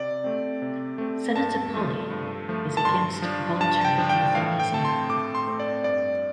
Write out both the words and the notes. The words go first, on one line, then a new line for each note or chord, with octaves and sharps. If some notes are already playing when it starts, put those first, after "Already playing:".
Senator Polley is against voluntary euthanasia.
Already playing: C3 D5
A3 C4
C3
A3 C4
G2 A5
F3 A3
G2
F3 A3
A5
G2 C6
F3 D4
G2 A5
A5
G5
F3 D4
G5
A2 F5
G5
A3 C4 A5
C6
A2 D6
C6
A3 C4
D5
G2 D5